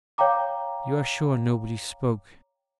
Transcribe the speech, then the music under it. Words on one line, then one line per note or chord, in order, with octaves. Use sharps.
'You are sure nobody spoke?'
C#5 F5 G5 A#5 D6